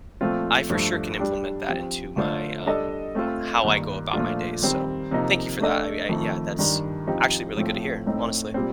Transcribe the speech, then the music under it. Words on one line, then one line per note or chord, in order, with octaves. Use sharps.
I for sure can implement that into my, um, m how I go about my day, so, thank you for that. I mean, I Yeah, that's actually really good to hear, honestly.
A#2 F3 A3 C4 F4
G2 F3 A3 D4
G3 D4 G4
F3 C4 G4
D3 A3 D4 F4 C5
G3 D4 A4 D#5
A3 C4 F4
G2 D#3 A#3
A#2 F3 A3 D4 F4
D#3 G3 C4
C3 F3 A#3 D#4
A3 D4 A4 D#5
F2 D#3 A3
G2 D#3 G3 D4
F3 C4 D#4 G4
A2 F3 A3 C4
A2 A3 C4 D#4
A#2 G3 C4